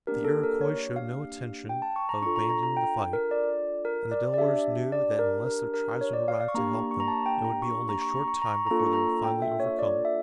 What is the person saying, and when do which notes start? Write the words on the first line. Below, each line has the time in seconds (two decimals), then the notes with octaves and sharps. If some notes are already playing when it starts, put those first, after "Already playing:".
The Iroquois showed no intention of abandoning the fight, and the Delawares knew that unless their tribesmen arrived to help them it would be only a short time before they were finally overcome.
0.07 A#3 D4 G4 A#4
0.24 A4
0.43 A#4
0.61 C#5
0.96 F5
1.69 G5
1.82 A5
1.96 C#6
2.09 A#5
2.22 D4 F4 A4 C#6
2.36 A#5
2.49 A#5
2.63 A#5
2.77 G5
3.13 A#4
3.31 D5
3.85 A#4
4.11 D5
4.34 D5
4.38 D4 G4 E5
4.92 D5
5.19 A#4
5.47 A#4
5.74 A#4
6.01 C#5
6.13 D5
6.28 F5
6.41 F5
6.48 C#6
6.54 A#3 D4 G4 A#5
6.91 C#6
7.00 A#5
7.08 A5
7.26 G5
7.44 A#5
7.62 C#6
7.89 A#5
8.02 C#6
8.15 A#5
8.28 C#6
8.42 A#5
8.54 C#6
8.67 A#3 D4 F4 A4 A#5
8.79 C#6
8.93 A#5
9.24 G5
9.42 E5
9.60 C#5
9.79 D5
10.05 E5